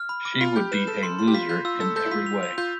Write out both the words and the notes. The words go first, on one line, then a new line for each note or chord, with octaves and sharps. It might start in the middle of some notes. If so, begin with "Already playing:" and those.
She would be a loser in every way.
Already playing: F6
B5
D6
F4 B5
G4 G6
B4 E7
A4 E7
C6
C6
G4
F4 B6
F4 G6
F4 E6
A4 E6
A4 G6
E4
F4 B6
F7
F7
F4 G6